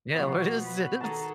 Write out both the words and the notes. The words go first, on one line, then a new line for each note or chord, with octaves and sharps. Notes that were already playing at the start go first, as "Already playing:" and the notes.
yeah, what is this?
B2 F3 F#3 B3 F#4
B4
D#3 G#4 A4 A5 A#5 D#6